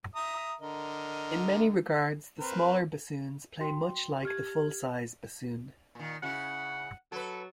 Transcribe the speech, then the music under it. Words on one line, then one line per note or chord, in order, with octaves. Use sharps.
In many regards the smaller bassoons play much like the full-size bassoon.
E5 A#5 D#6
D3 A#4 D#5
C4 A#4 B4
F#4 G5 C6
G4 F6 G#6
A#2 D#3
C#3 E4 F#5
F#3 A4 B4